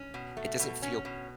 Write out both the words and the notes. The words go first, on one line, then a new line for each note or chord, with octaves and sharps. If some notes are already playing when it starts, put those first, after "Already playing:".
it doesn't feel
Already playing: C#4
B2
A3
B2
C#4
B2